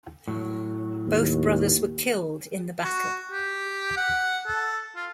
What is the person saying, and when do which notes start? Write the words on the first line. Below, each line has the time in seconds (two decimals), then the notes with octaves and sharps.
Both brothers were killed in the battle.
0.28 A2 F#3
1.07 D#2
2.84 F#4
3.32 G4
3.97 F#5
4.47 A4
4.96 F4